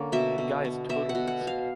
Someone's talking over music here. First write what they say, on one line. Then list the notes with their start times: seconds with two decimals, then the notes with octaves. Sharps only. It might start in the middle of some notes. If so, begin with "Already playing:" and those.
The guy is totally insane.
Already playing: D3 A#3 C#4
0.12 B2 E5
0.38 B2
0.65 B3
0.89 B2 E5
1.09 F#5
1.15 B2
1.27 F#5
1.41 B3
1.47 F5